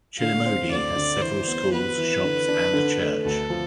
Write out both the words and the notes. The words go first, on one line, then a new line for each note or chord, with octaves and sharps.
Chiliomodi has several schools, shops and a church.
D3 F5
C4
D2 D5
D3
E3 C5
B3
B3 B4
E3
D3
D4
D3
A3
D2 A4
F3